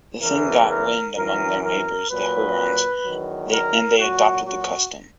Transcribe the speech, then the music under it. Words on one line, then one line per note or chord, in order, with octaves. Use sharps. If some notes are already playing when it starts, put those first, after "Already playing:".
The thing got wind among their neighbors the Hurons, and they adopted the custom.
E2 C#3 E3 A#4
A#4
F#2 E3 A#4
A#4
A#2 F#3 B4
E2 D#3 F#3
A#4
A#2 F#3 F#4
F#4